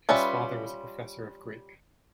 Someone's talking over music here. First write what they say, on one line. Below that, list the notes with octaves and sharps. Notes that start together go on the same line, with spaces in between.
His father was a professor of Greek.
G3 C#4 F4 B4 E5